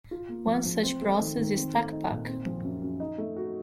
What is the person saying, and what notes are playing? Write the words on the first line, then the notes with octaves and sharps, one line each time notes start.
One such process is Tacpac.
F4
A#3
F3
F3
C4
A3
D#3
D#3
C4
A3
D#4
A#2
C4
F3
F#2
F#2
D#4
A3
F#4